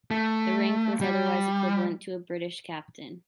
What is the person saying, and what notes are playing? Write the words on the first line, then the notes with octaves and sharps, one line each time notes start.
The rank was otherwise equivalent to a British captain.
A3
G3